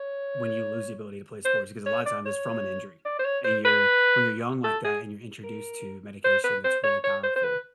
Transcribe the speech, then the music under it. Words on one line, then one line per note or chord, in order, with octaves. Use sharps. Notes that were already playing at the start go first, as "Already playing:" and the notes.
when you lose the ability to play sports. Because a lot times that's from an injury. And you're when you're young like that and you're introduced to medication that's really powerful.
Already playing: C#5
C5
C#5
D5
C#5
D5
C5
C#5
C5
B4
A4
G#4
A#4
C5
B4
C5
C#5
C#5
C5
C5
B4